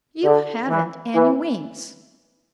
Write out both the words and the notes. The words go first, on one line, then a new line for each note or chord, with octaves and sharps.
"You haven't any wings."
D3
E3
E3